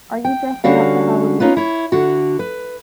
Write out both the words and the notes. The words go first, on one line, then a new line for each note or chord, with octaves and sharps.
Are you dressing up for Halloween?
G5
D3 G3 C#4 F#4 F5
C#4 D#4 F4 B4
E4 C#5
D3 F#4
B4